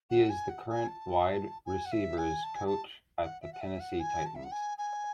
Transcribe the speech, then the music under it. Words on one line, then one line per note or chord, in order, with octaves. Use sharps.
He is the current wide receivers coach at the Tennessee Titans.
F#5
G#5
F#5
G#5
A5
G#5
F#5
E5
G#5
A5
G#5
A5
F#5
E5
F#5
E5
F#5
G#5
A5
E5
F#5
G#5
G#5